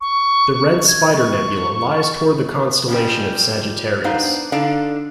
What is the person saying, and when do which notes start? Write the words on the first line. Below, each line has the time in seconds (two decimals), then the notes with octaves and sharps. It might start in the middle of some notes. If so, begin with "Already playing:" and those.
The Red Spider Nebula lies toward the constellation of Sagittarius.
0.01 C#6
0.88 G#6
1.15 C#6
2.88 F2 C#3 F3 G3
4.04 B3 D4 D#4 B4 C5 F5
4.52 D3 D4 D#4 D5 F5 A5